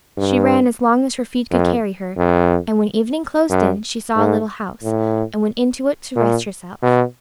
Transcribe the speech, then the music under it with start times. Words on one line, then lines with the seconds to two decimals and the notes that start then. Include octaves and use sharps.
She ran as long as her feet could carry her, and when evening closed in, she saw a little house, and went into it to rest herself.
0.18 G2
1.51 F2
2.18 F2
3.50 F#2
4.17 G#2
4.83 A2
6.16 A#2
6.83 B2